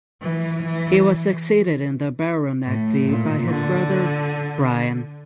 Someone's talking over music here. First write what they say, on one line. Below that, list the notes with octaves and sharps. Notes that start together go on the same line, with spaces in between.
He was succeeded in the baronetcy by his brother Bryan.
E3
E3
A2
A#2
D3